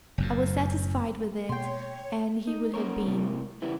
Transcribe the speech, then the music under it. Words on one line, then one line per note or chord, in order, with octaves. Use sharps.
I was satisfied with it, and he would have been.
F#1 F#2 A2
B2 A#3 C#5 G5 C6
D#4
A#3 C#4 A#4 C#5
A2 C3 A3 A#3
C#3 E3 G3 B3 E4